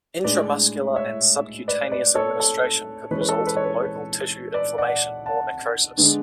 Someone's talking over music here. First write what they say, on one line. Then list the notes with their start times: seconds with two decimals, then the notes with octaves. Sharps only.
Intramuscular and subcutaneous administration could result in local tissue inflammation or necrosis.
0.24 A2 G#3 D4 B4 D5
0.96 C#5 E5
1.68 B4 D5
1.91 B4 D5
2.15 A4 C#5
2.40 A4
3.11 E3 G#3 C#4 B4
3.21 B4
3.29 A4
3.47 B4
3.57 C#5
3.65 B4
3.83 B4
4.54 B4 D5
4.78 D5 F#5
5.26 F#5 A5
5.98 D3 G#3 B3 D4